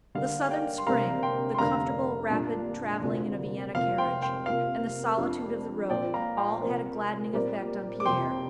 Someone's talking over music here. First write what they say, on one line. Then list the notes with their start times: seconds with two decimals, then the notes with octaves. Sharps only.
The southern spring, the comfortable rapid traveling in a Vienna carriage, and the solitude of the road, all had a gladdening effect on Pierre.
0.15 D3 G3 A#3 F5
0.45 F5
0.51 D5 G5
0.78 C6
0.86 C3 G3 A#3 D4 F5 A#5
1.23 G5 C6
1.54 C6
1.58 F1 F2 D3 A#3 D4 F5 A#5
2.30 A#2 G3 D4 F4
3.02 D2 C3 A#3 F4 D5
3.75 F1 F2 C3 A#3 F4 F5
3.98 G5 C6
4.22 G5 C6
4.46 C3 A#3 F4 A#4 F5
5.17 F2 F3 D4 G4
5.90 A#2 F3 C4 D5 G5
6.14 F5 A#5
6.38 G5 C6
6.61 C3 F3 C4 A#4
7.33 A#2 G3 C4 A#4 D5
8.00 D6
8.06 F2 C3 F3 G5 C6